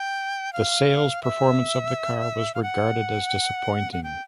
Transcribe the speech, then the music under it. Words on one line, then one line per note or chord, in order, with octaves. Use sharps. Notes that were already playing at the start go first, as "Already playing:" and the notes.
The sales performance of the car was regarded as disappointing.
Already playing: G5
F5
E5
F5
F#5
F#5
G5